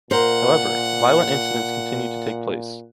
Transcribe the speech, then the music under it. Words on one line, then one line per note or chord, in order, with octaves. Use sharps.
However, violent incidents continue to take place.
A#2 A#4 C5 F#5